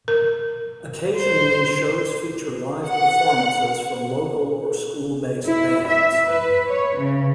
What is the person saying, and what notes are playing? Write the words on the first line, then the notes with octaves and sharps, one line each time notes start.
Occasionally, shows feature live performances from local or school-based bands.
A#4
C5
F#5
E4
E5
B4
C#5
C#3